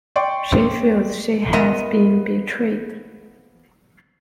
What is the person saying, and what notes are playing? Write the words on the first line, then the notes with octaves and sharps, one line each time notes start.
She feels she has been betrayed.
D5 G5 C6 C#6
F3 B3 A#4 D#5 E5 A#5